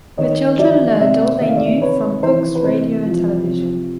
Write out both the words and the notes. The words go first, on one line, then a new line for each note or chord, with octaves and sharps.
The children learned all they knew from books, radio, and television.
D#3 C#5 D#5
F#3 D5 E5
C3 D5 E5
D#3 E5
F5
D5 E5
C3 B4 C#5
E3 C5
B4
C3 C5
F3
C3